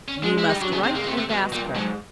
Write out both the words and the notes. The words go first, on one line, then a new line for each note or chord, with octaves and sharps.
"You must write and ask her."
C#4
G#3 D4
G#3 E4
G3 D#4
F#3 D4
C#3 B3
C3 C4
C#3 A#3
G#3
C3 A3
A3
B2 G#3
A#2 G3
G2
G#2 F#3